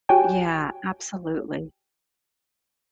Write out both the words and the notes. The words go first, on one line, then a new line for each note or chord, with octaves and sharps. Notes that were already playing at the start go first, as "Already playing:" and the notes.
Yeah, absolutely.
F#4 G4 C#5 G5 G#5